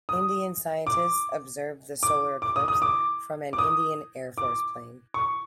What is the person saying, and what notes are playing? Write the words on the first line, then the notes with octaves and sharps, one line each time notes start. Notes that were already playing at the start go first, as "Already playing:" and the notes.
Indian scientists observed the solar eclipse from an Indian Air Force plane.
D#6
D6
D6
D6
D#6
D#6
D6
D6
D#6
D6
C#6